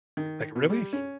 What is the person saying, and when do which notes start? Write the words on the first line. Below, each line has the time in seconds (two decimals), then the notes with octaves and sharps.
like, really?
0.17 D#3
0.56 B2
0.70 G3
0.93 C#4